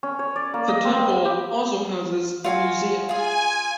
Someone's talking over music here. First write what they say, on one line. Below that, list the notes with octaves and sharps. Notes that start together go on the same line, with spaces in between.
The temple also houses a museum.
C#4
C#5
D5
A#3
D#5
C4
B5
G4
F4 F#4 G#5
F4 G#4 G#5